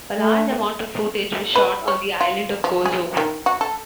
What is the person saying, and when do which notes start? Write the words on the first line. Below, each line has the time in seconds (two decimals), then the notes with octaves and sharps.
A large amount of footage was shot on the island of Gozo.
0.19 A3
1.56 B4
1.88 C#5
2.21 F4
2.64 F3
2.86 G#4
3.17 D#3
3.46 F#4
3.61 A4